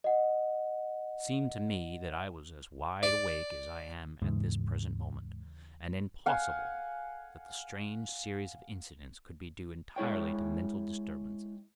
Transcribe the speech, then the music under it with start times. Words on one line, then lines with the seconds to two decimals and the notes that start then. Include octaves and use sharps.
It seemed to me that I was as wide-awake as I am at this present moment, and impossible that the strange series of incidents could be due entirely to mental disturbances.
0.04 D#5 F#5
3.03 D5
4.22 D#2 G#2 C#3 E3
6.26 F5 F#5 G#5
9.96 G#3 E4 C#5 G5